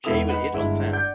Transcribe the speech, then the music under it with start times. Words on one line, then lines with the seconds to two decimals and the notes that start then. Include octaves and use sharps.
Jay will hit on Sam.
0.04 E1 B2 E4 A4 D#6 F7
0.29 D#4 B4 F#5
0.53 G1 G#3 E4
0.93 D5 F#5 G6